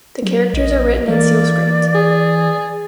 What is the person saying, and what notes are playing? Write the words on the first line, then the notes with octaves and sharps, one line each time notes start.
The characters are written in seal script.
F#3
A#1 D#5
E3 A#3 D5
A#3
G#4